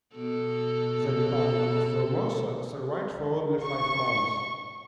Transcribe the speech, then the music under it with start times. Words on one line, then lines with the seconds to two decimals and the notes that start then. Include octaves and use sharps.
The Republic of Formosa survived for only five months.
0.16 B2 A4
3.63 C#6